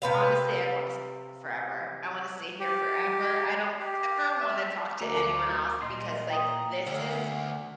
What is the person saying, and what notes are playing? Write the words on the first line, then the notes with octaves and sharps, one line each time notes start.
Honestly, I wanna stay here forever, I wanna stay here forever, I don't ever wanna talk to anyone else because, like, this is
C3 B4 F5
G4
G4
E5
D2 F#4 A#4 A#5 D6
A#2 D#5 C6
G5 A#5 D#6
D2